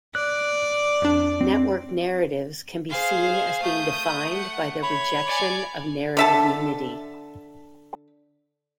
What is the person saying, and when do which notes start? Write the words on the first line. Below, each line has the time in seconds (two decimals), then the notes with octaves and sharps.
Networked narratives can be seen as being defined by their rejection of narrative unity.
0.15 D5 F#6
1.02 F2 D4
1.41 C4
2.90 G#4 C5 F5
3.63 A3 D#6 G6
4.35 F#5
4.83 C#5 B5
5.26 D5 G#5
6.17 D3 E5 A5